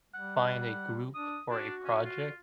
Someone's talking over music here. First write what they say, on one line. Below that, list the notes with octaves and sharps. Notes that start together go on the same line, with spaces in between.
find a group for a project,
G3 F#5
F#5
D4 D#6
D4 F#4
C#4
F4